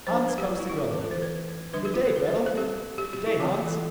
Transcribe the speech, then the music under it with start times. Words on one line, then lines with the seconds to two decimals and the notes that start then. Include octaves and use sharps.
Hans comes to Gretel. 'Good day, Gretel.' 'Good day, Hans.
0.07 F3 A3 D4 C5
0.17 C5
0.29 B4
0.38 G4
0.49 F4
0.60 E4
0.70 E4
0.80 F4
0.91 E3 A3 C4
1.01 A4
1.11 C5
1.22 B4
1.73 D3 G3 D4 B4
1.85 G4
1.94 F4
2.05 A4
2.16 B4
2.26 C5
2.37 C5
2.46 A4
2.57 G3 C4 G4
2.98 G4
3.13 G4
3.27 E4
3.40 E3 G3 C4 F4
3.54 G4
3.68 A4